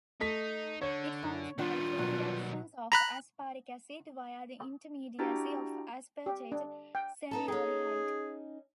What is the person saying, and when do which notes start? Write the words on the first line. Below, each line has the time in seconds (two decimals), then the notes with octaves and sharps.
It forms by two reductions of aspartic acid via the intermediacy of aspartate semialdehyde.
0.21 A3 D#4 B6
0.82 D3 C#5
1.23 F#2
1.58 D#3 G3 D4 F4
1.98 B2 F#3
2.92 A#5 B5 F#6
5.19 D4 E4 F#4 G4 G5 A#5
6.26 G4
6.52 D4
6.95 G5
7.31 B3 D#4 A4 A5
7.48 C#4 D#4 G#4